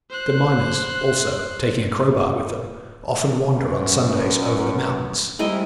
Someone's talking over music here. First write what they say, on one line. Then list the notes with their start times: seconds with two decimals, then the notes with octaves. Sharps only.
The miners, also, taking a crowbar with them, often wander on Sundays over the mountains.
0.10 C5 F#6
3.54 F#2 B3
5.39 G3 G#3 C4 E4 A#4 D#5